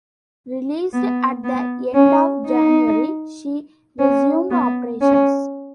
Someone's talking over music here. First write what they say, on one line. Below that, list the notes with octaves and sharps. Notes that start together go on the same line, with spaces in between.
Released at the end of January, she resumed operations.
B3
B3
C#4
D#4
C#4
B3
C#4